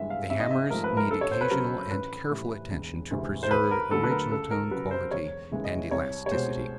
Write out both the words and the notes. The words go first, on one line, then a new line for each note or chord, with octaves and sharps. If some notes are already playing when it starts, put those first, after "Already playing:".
The hammers need occasional and careful attention to preserve original tone quality and elasticity.
Already playing: G2 E3 G#3 E5
F5
G#1 E5
D#5
E5
G#2 F3 A3 A#4
B4
A#4
D2 A4
C#5
C5
B4
C#3 F#3 A#4
A1 B4
A2 E3 G3
E1
D2 C3 E3 G#3
C5
D#2 B4
A#4
D3 F#3 A3 A4
B4
A#4
C#2 A4
A#4
C#3 F#3 B4
C5
E1 C#5
D#2 C#3 E3 G#3
D#5
C2 C#5
C#5
B2 G#3 C5